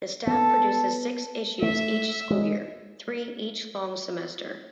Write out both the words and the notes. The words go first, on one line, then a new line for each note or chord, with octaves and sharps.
The staff produces six issues each school year, three each long semester.
B3 A4
A3 E5
G#3